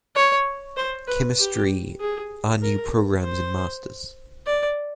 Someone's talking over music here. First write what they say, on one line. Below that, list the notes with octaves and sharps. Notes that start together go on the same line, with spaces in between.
Chemistry are new programs in Masters.
C#5
C5
B4
G4
G#4
A#4
C5
D5